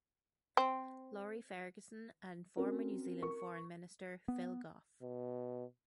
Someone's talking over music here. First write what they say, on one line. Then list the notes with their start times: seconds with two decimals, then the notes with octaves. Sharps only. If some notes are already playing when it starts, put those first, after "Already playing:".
Laurie Ferguson and former New Zealand Foreign Minister Phil Goff.
0.57 C4
2.57 C4 C#4 F#4 A#4
3.23 A#4 C#6
4.28 B3
5.02 B2